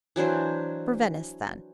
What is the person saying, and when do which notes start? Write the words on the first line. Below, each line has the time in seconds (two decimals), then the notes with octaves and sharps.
'For Venice, then.
0.16 E3 F#3 D4 C5